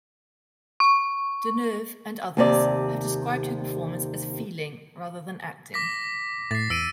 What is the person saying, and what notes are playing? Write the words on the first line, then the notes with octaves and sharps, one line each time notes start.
Deneuve and others have described her performance as feeling rather than acting.
C#6
D#2 C3 D5
D6 A#6 B6
A2 A6 C7
E2 E6 D7 D#7